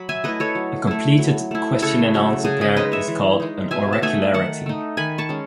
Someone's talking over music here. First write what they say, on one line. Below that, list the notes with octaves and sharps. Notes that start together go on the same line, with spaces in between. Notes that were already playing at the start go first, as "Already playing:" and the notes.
A completed question-and-answer pair is called an "Oracularity".
Already playing: F#3 B5
E5 G#5
A3 E4 B4 D#5
A4 C#5
F#3
A3 E4
F#3
A3 E4
C#3 A4 C#5
F#3 A3
C#3 G#4
G#4
G#3 D#4 B4 D#5
C#5 E5
E3
G#3 D#4
B2 E5 G#5
A5
A3 D#4 E5 G#5
D#3 F#5 A5
A3 D#4
D#3 G#5 B5
A5 C#6
G#3 C#4